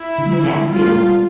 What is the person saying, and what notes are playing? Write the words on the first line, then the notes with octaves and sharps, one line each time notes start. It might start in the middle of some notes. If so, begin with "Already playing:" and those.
You have to.
Already playing: E4
D3
D3
G3 F4
G3